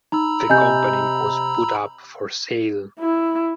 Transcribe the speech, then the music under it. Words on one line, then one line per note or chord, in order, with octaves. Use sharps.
The company was put up for sale.
D#4 A#5 B5 E6
C3 D#5 G#5 G6
E4